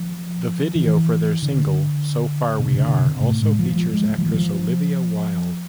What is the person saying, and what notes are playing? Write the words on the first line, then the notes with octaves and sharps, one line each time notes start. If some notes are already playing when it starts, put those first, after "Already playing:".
Their video for their single "So Far We Are" also features actress Olivia Wilde.
Already playing: F3
E3
D3
B2
C3
D3
C3
A2
G#3
F3
F3
G#3
G#3
F3
E3
F3